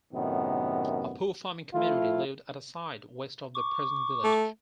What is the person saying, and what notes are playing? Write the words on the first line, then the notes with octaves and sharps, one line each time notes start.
A poor farming community lived at a site west of the present village.
F#2 A2 C3 D#3 B3
F3 A3 E4 F4
C#6 D6
A3